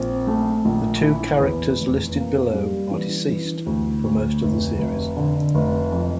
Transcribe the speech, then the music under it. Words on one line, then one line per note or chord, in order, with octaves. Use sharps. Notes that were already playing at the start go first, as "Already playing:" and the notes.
The two characters listed below are deceased for most of the series.
Already playing: A#1 C4
A3
A#1
E4
E2
F1
A#3
G3
E3
E3
D2
D2
F1
F1
D3
F1
F2